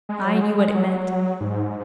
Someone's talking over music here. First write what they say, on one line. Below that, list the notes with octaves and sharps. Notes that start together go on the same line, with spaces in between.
I knew what it meant.
G#3
F#3
G#3
G#3
F#3
G#2